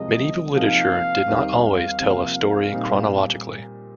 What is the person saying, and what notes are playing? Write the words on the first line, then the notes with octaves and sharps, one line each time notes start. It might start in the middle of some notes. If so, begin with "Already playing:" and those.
Medieval literature did not always tell a story chronologically.
Already playing: C2 C3 F3 G#3 D#5
C3 F3 A#3 D#4 G#4 F5
D#2 D#3 G3 C4 D#4
F5
C3 F3 A#3
F5
A#2 G3 C4 D#4